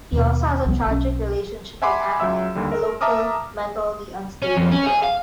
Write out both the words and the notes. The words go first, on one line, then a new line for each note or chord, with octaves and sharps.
He also has a tragic relationship with Annie, a local mentally unstable girl.
D#2 B2
C2 F3 B3
B1 C#4
E5 F#5 G#5 B5 C6 D6
C#2 F#3 E5 E6
D#2 D3 G3
A#4
E5 A5 A#5 D6 D#6 F6
C#4
F2
C#4
G#4
F5